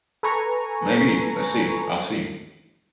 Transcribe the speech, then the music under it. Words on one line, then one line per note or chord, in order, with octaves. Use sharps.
Maybe, let's see, I'll see,
A4 B4 G#5 A#5 C#6